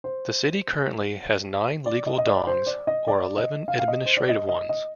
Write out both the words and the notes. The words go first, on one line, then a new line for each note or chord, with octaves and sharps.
The city currently has nine legal dongs, or eleven administrative ones.
C5
D5
D#5
D#5
D5
C5
D5
D#5
D5
D#5
F5
F5
D#5
C5
D5
D#5
D#5
D#5